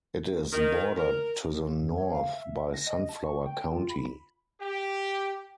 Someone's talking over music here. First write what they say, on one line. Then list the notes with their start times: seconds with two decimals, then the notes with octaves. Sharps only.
It is bordered to the north by Sunflower County.
0.53 D#3
0.97 A#4
1.81 F#2
1.97 C#5
2.11 F5
2.32 E5
2.74 A#6
2.87 D#5
3.09 A5
3.24 C#6
3.46 G5
3.72 F4
3.90 B5
4.59 G4